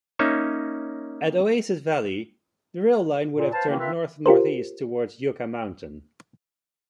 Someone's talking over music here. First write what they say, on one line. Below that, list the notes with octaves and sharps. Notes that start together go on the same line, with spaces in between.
At Oasis Valley, the rail line would have turned north-northeast towards Yucca Mountain.
A#3 C#4 D#4 C#5 E5
A#2
B4 C5 F5 A5
B2 D#3 E3 A#3 C#4 E4
A#3 C4 F4 B4 E5
F4 G4 A#4 C5